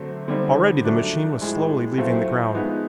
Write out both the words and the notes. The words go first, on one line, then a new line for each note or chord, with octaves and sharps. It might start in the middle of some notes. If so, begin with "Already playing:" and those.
Already the machine was slowly leaving the ground.
Already playing: D3 F#3 A3 C4
D3 G3 C4 D#4
A#2 F#3 A3 D4
A2 F3 G#3
A2 F#3 A3 C4 F4
F3 G#3 B3 D#4